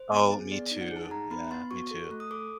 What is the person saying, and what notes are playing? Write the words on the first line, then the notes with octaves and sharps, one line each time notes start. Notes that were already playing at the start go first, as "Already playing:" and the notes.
Oh, me too. Yeah, me too.
Already playing: C5
B3
G#4
B3 D5
D#4
F#5
G#4 A5
D#4 A#5
B3 B5
B3 C6
F#4 C#6
A4
A3
D#6
A4 D6